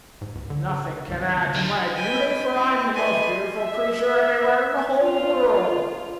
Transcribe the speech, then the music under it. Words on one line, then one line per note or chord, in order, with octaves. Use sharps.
"Nothing can add to my beauty, for I'm the most beautiful creature anywhere in the whole world."
G#2
C#2
D3
C#3
C2 G2 D#3
D2 C#3
D3 G3 F4
B4 D#5 G5 G#5 B5
C4 E4
B4 D5 D#5 G#5 C6
E5
F4